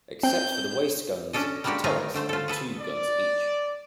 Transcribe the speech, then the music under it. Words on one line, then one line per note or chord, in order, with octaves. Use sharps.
Except for the waist guns, the turrets had two guns each.
C4 G6
C#4 D4 A4 D#5
G3 G#3 A#3 D4 F#4 G4
D#3 F#3 A3 F4 G#5 A#5
D3 A3 C5
F4 A4
G#4 A4 B4
D5